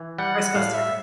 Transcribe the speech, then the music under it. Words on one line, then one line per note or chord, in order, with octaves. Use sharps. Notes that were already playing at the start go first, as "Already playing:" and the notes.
are supposed to
Already playing: E3
G3 F#5
A2 F5
E5